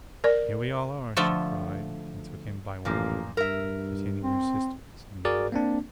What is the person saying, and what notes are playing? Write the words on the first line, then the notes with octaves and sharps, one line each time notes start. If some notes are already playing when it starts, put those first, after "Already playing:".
"Here we all are!" she cried, and took him by one hand, retaining her sister's in the other.
A#4 D5
D3 F3 A3
A1 A#2 F3 A#3
G2 A#4 E5
C4
F#4 G#4 A#4 D5
A#3 C4 D4